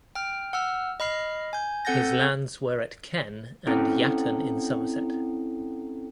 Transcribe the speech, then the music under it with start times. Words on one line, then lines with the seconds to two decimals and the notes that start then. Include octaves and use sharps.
His lands were at Kenn and Yatton in Somerset.
0.15 G5 F6
0.53 F#5 E6 F6
1.00 D#5 B5 F6 C7
1.53 G#5 G6
1.85 C4 A4 F#5 G6 A6 A#6
3.67 C4 C#4 E4 A4 G5